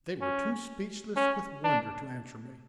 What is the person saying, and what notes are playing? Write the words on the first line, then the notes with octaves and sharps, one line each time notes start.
They were too speechless with wonder to answer me.
C#4
C#4
D4